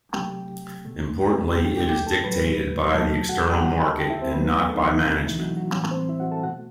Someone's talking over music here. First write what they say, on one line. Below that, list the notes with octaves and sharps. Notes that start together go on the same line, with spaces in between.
Importantly, it is dictated by the external market and not by management.
C3 F#3 A3 G4 G5
B2 A3
B2 F#3 A3 G4 G5
G4 G5
G4 G5
G4 G5
A4 A5
A2 F#3 A3 B4 B5
B5
B2 F#3 A3 A4 A5
F#4 F#5
A4 A5
G4 G5
G3 F#4 F#5
D#3
A4 A5
G4 G5
E4 E5
C4 C5
D#3 F#3 A3 B3 B4
A3 A4
D#4
E3 E4
D#4
B2 A3 C4
D#4
E3 E4
F#3 F#4
F#3 F#4
A2 E3 F#3 G3 F#4
C4 C5
E4 E5
F#4 F#5
A4 A5
B2 A3 F#4 F#5